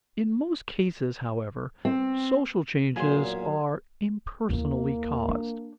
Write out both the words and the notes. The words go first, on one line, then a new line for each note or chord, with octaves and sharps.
In most cases, however, social changes are impersonally caused.
C4
B1 E2 A#2 F#3 F#4 G#4 A#4 C6
D#2 A#3 E4
D4